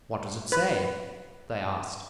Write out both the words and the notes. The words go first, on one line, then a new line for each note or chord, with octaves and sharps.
"What does it say?" they asked.
B4